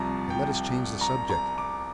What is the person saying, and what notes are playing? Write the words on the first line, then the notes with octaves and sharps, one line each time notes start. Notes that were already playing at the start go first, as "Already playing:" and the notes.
But let us change the subject.
Already playing: C2 C3 F3 A5 A#5
G5
A#5
A#5
D6